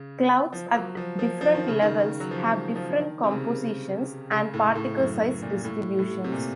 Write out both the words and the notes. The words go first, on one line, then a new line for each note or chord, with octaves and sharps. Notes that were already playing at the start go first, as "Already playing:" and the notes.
Clouds at different levels have different compositions and particle size distributions.
Already playing: C#3
F3
F3
F#3
F3
F3
F3
D#3
C#3
D#3
F#3
F3
D#3
F3
D#3
C3
C#3
C#3
A2
A2
F#2
A2
A#2
A2
A2
C3
A#2